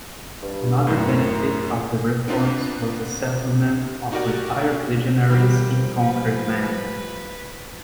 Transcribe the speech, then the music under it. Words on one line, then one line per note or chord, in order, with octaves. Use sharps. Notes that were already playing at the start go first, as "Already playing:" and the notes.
Another benefit of the reforms was the settlement of retired legionaries in conquered land.
G2
F#2 A2 D#3
B3 C4 D4 D#4 F4 B4
D#4 F#4 G4 A#4 D5
D#3 F3 G3 G4
G3 B4